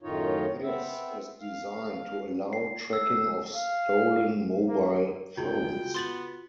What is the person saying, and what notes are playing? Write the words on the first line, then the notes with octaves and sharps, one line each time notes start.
This is designed to allow tracking of stolen mobile phones.
F#2 A2 D#3 D#4 F4 C#5
B3 C4 E5
F5
C7
E6
F5
A#3
C#2 G#3 F4 F#4 G#4 G5
B3 C6 A6 F#7